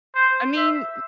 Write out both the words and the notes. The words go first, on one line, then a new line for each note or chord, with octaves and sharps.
I mean,
C5
E5